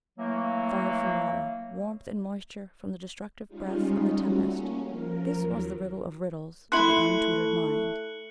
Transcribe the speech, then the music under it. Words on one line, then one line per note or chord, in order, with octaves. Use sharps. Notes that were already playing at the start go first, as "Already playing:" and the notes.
Fire from water, warmth and moisture from the destructive breath of the tempest, this was the riddle of riddles to the untutored mind.
E3 F#3 A3 A#3
G3 G#3 C#4 D#4 F4
G3 A3 C#4 F#4
A#3 C#4
F3 A#4
D#2 F#3
A3 E4 C6 F#6 C#7 F#7